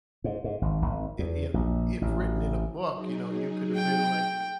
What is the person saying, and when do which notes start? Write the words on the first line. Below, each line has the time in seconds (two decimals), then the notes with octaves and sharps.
i i a if written in a book, you know, you coulda been like,
0.24 G#2
0.44 G#2
0.62 G#1
0.82 G#1
1.19 E2
1.54 A#1
2.02 A1
2.90 F#3 D#4 G#4
3.76 G5